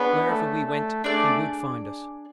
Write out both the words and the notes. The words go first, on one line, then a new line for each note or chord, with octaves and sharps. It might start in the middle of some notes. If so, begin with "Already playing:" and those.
Wherever we went, HE would find us.
Already playing: B3 D4 G#4 C#5
A3
A3
A3 D4 G#4 D5